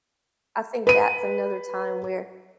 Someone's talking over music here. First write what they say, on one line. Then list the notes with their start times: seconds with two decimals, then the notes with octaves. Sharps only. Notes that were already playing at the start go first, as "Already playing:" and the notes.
I think that's another time where
0.87 B4 D#7